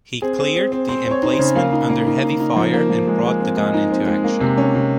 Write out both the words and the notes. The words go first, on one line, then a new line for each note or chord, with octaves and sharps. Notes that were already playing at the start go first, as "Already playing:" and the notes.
He cleared the emplacement under heavy fire and brought the gun into action.
C4 G#4
C4
C4
C4
C4 C5
C4
C#5
D#4
C5
C#3
A#3 F5
D#4
A#3
D#4
D#4
D#4
F3
A#3
F3
G#3
G#3
C4
G#3 D#5
D#4
C4
G#3
A#3
C3
C#4
C3